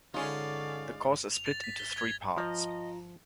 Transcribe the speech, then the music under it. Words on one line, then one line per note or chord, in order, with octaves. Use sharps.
The course is split into three parts.
D3 G#3 C#4 D#4 F4 D5 F5
F7
A6
B6
G7
G#6
F3 F4 D#5 A#5